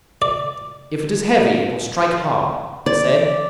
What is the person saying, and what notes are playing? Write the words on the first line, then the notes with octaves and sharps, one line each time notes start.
"If it is heavy it will strike hard," he said.
D5
D5